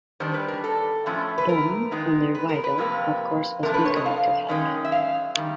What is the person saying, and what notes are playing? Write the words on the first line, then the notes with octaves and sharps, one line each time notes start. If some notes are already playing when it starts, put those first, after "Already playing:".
Baume, under Wido, of course was not going to help.
D#3 G3 B3 D4 C5
B4
A#4
A4
A2 F3 A3 C#4
B4
A#4
D#3 G#3 B3 D#4
B4
A#4
B4
E2 C3 F3 A#3
C3 F3 A3 D4 A#4
B4
C#5
D#5
F5
F#2 D#3 G#3 C#4
E5
F5
D#3 G3